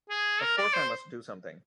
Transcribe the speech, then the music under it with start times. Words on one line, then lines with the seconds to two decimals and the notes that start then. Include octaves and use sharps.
Of course I must do something.
0.10 G#4
0.42 A#4
0.58 D5
0.74 C5